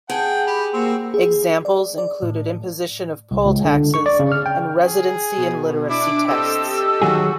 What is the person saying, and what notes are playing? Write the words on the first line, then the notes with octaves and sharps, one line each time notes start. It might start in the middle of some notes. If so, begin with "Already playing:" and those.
Examples included imposition of poll taxes and residency and literacy tests.
G#4 F#5 G5 A5
G4 B5
A#3 C4 F#4
G#4
D5
D5
A2
C2
C#2
D3
C#6
D5
C#3
F6
G5
G#4
B2
D4 E4 D6 D7
C4 G4 A4 D#5 E6
D#3 F#3 F#4 G#4